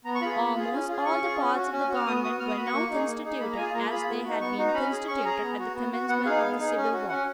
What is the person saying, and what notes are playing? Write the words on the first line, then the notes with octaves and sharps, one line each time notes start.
Almost all the parts of the government were now constituted as they had been constituted at the commencement of the civil war.
B3 A#5
C#6
F4 G#4 B5
B3
F4 G#4
C#4
F4 G#4
C#4 C#6
F4 G#4
C#4
F#4
C#4
F#4
F6
B3 D#6
F#4 D#6
B3 F6
D#6
F#4 B5
C#6
A#3
D#4 G#4
A#3
D#4 G#4
A#3 B5
A#5
F4 G#4 G#5
A#3 A#5
F4 G#4 B5
B3
D#4 F#4
B3 C#6
D#4 F#4
A#5
C#4 B5
G#4
C#4 C#6
G#4 A#5
B3
F#4
B3
F#4
B3 F#5
D#4 G#4 F5
B3
D#4 G#4
C#4
F#4
C#4 F#5